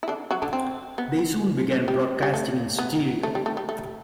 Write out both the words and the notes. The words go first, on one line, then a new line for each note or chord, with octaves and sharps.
They soon began broadcasting in stereo.
E4
D3 D4
F#3 F#4
D3 D4
C4
B3
G3
G3
A3
B3
A3
G3
A3
G3
A3